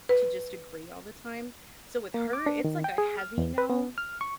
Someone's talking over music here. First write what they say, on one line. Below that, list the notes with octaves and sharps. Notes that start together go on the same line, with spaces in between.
to just agree all the time." So with her, it's, like, a heavy no,
B4
A#3
D6
D4
D#3
G5
G#4
F6
E2
B4
B3
F6
C#6